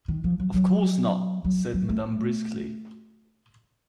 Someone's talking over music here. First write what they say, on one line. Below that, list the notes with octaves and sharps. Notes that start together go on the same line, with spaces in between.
"Of course not," said madame briskly.
D#3
F3
F#3
F#3
F#3
F#3
A3